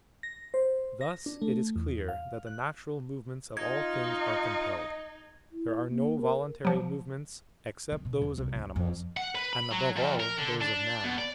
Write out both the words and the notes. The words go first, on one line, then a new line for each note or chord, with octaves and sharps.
Thus it is clear that the natural movements of all things are compelled; there are no voluntary movements except those of animals and, above all, those of man.
A#6
C5
A#6
D4
A3
E2
F5
F#6
D#4 F4 D#5 G#6
E4
A#3
A#4
F3 F#3
D#3
B2
E2
C2
D2
F2
F#5
B4
B5
F#3
F2
A#4
D3
D4
B2
D5